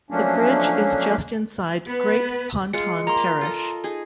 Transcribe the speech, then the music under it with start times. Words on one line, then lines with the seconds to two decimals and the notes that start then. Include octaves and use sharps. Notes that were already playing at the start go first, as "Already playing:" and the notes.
The bridge is just inside Great Ponton parish.
0.11 F3 F#3 A3 A#3 C#4 D4
1.87 B3 B4
2.73 G#3 F4 F5 C#7
3.07 A#3 A#5 C6
3.41 F4 A4 D#5
3.84 D#4 G#4